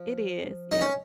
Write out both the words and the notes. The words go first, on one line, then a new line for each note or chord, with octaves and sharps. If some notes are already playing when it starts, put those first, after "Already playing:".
It is, yep.
Already playing: F3
D#4
C#4